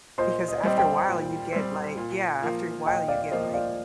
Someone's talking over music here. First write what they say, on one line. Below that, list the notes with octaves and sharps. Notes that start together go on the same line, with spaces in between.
because after a while you get like Yeah, after a while you get like
A#2 C5 D#5
D#5
D5
G3 C4 C5 D#5
D#5 G5
A#2
G3 C4
A#2
F3 A#3 F4
A#2 D#5 G5
D5 F5
D5
F3 A#3 F4 C5 D#5
D5 F5